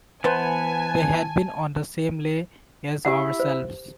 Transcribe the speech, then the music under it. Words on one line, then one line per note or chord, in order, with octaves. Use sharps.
They had been on the same lay as ourselves.
E3 B3 B4 C5 G#5 A5
E4 G4 F#5
C5